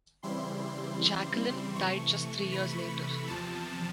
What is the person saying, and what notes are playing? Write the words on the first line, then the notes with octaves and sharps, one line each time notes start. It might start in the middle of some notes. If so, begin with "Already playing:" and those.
Jacqueline died just three years later.
C#3 E3 G3 C4 E4 C6
C3 E3 A3 C#6
B5
E2 C3 F3 A5